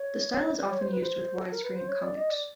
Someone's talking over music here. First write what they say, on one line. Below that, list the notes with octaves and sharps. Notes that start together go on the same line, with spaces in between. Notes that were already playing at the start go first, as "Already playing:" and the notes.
The style is often used with widescreen comics.
Already playing: C#5
D5
C#5
C5
B4
C5
A4
A#4
B4
C5
C#5
D5
D#5
D5